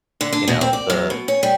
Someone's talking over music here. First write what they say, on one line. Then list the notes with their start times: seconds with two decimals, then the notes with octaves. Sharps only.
you know, "The
0.21 D3
0.33 D4
0.48 B2
0.61 C4
0.73 D5
0.90 F#2
1.10 B2
1.28 C#4
1.43 G3